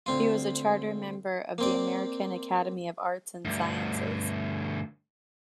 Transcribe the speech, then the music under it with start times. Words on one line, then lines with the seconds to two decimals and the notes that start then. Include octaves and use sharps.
He was a charter member of the American Academy of Arts and Sciences.
0.06 D2 C4 F4
1.58 A#3 C4 D5
3.45 D2 G2